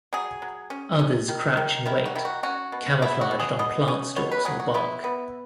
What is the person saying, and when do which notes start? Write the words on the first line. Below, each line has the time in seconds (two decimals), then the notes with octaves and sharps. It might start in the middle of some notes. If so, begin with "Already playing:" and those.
Others crouch in wait, camouflaged on plant stalks or bark.
0.13 F#3 G#4
0.42 F#3
0.70 C#4
0.99 C#4
1.29 D#3
1.57 D#3
1.86 D#3 E4
2.05 F#4
2.15 D#3 E4
2.25 F#4
2.43 C#4 F#4
2.72 B2
3.02 B2 E4
3.21 F#4
3.31 B2
3.40 G#4
3.59 B2 D#5
3.88 C#4
4.16 B2 C#5
4.32 B4
4.45 F#3 G#4
4.60 F#4
4.74 B3 E4
5.04 B3